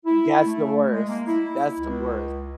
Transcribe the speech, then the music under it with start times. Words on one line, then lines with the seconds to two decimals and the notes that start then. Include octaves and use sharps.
That's the worst. That's the worst.
0.06 E4
0.45 A3
0.91 G#3
1.08 A#3
1.28 E4
1.79 C#2